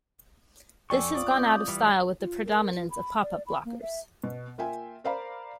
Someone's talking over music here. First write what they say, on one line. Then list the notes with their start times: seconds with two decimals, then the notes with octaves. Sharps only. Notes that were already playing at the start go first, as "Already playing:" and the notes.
This has gone out of style with the predominance of pop-up blockers.
0.90 F2 D5 G5 G#5 C#6 E6
1.15 F4 D5 D#6
1.31 C4 D6 G6
1.68 E3 G3 F4 D5
2.21 F4
2.46 A#4
2.76 F4
2.90 B5
3.23 D5
3.47 B5
3.65 A#3
3.82 E5
4.24 B2
4.58 A#3 F4 E5 G5 G#5
5.04 A#4 C5 D5 F5 A#5 B5